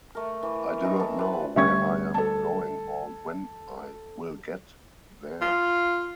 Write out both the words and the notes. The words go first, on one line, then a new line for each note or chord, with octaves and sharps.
I do not know where I am going or when I will get there.
A3 A#4
E3
E3 D#4 A#5 C#6
E4 A4
C4 B4 F#5
D2 G3 C#4 E5 C#6 G#6
A4 A5
F4